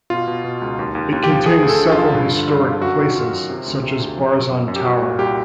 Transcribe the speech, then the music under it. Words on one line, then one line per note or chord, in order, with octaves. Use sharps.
It contains several historic places, such as Barzan Tower.
B2 F4
B2
B2
C#2
D#2
D#2
D#2
G4
F3
F3 G#4
D2
A4
D3
F4
F3
G2
D3
G2
D3
F#2 F#4
D#3
D#3 F4
F#2
C3
D2
C3
D2
F3
F#2
F#2
F#2
G4
C2 F#4
A#2
C2 G4